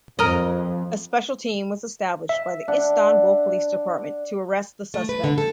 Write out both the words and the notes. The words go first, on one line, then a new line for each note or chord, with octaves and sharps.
A special team was established by the Istanbul Police Department to arrest the suspect.
F2 A#4 D#5
E5
D4 F#5
A3
B4
D3
A4